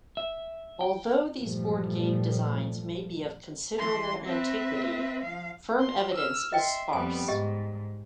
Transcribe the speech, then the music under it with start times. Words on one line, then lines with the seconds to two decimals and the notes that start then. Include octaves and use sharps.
Although these board game designs may be of considerable antiquity, firm evidence is sparse.
0.17 E5
0.81 G5
1.37 G2 A#2 E3 F3 G3 A3
3.78 E3 C6
4.25 C4 B4 E5
5.22 F3 F5
5.79 C6
6.13 E6 F6
6.52 D#5 E5 G5 C6
6.93 F2 G3 B3 G#5
7.28 G#2 G4 D#5